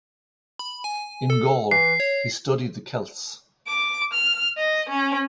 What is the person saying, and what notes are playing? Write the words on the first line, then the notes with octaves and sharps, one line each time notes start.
In Gaul, he studied the Celts.
B5
G#5
A4
E3 C7
C#5
D6
F6
D#5
C#4